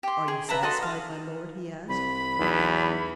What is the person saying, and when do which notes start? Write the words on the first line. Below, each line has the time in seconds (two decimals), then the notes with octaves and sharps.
"Are you satisfied, my lord?" he asked.
0.03 G4 C6
0.28 G#4
0.49 B4 E5 A5 A#5
0.63 F#4 A4 D#5 C6
0.82 F5
1.89 C2 B5
2.39 B1 E2